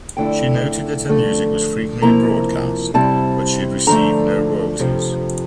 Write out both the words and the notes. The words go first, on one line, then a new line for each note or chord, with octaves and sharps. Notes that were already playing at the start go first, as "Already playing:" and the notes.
She noted that her music was frequently broadcast, but she had received no royalties.
F2 D3 A3 E4 G5
D3 F3 A3
C3 F3 A#3 E4 A#5
C3 G3 C4 E4 A5
D3 F3 A3 A#5
F2 C3 F3